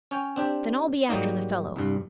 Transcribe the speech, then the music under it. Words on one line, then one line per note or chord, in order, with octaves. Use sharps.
"Then I'll be after the fellow."
C#4 C#5 G5
C4 D4 G4
G#2 F#3 G3 A#3 D#4
C2 G2